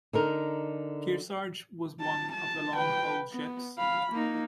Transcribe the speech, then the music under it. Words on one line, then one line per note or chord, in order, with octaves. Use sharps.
"Kearsarge" was one of the "long-hull" ships.
D3 D#4 A#4
A5
A5
B4 G5
B3
F5 B5
A#3 D#4